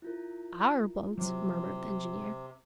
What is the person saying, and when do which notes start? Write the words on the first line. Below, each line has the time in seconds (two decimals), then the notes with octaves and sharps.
"Our boat?" murmured the engineer.
0.02 E4 F4 A#4
1.18 C3 F#3